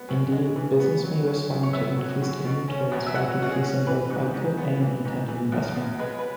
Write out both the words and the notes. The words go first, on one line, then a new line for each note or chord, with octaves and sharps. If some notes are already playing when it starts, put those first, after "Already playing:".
Indeed, business may respond to increased inventories by decreasing both output and intended investment.
Already playing: B3
F#2
G#3
E3
B3
F#3
F#2
F#2
C#5
B3 E5
F#3
F#2
B2
C#4
E2
E5
F#3 F#5
B2 F#4
G#4
C#4
E3 B4
G#2
G#2
B3
E3
G#2
E3
E2
E2
G#3 B4
B4